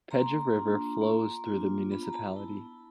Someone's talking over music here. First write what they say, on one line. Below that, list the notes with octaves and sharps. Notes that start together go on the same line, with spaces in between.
Pedja River flows through the municipality.
A#3 A#5 C6
D4 F4
A#3
D4 F4
B3 B5
A#5
A5 B5
E4